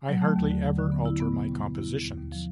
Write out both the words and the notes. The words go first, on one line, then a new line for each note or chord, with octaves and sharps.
I hardly ever alter my compositions.
F#3
A3
D#2
D3
F#3
D3
B3
E4
B3
B2
G3
B3
E4
B3
D#2
D#2
F3